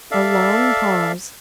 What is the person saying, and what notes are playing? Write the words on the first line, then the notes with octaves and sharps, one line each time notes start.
A long pause.
A4 D5 E5 F5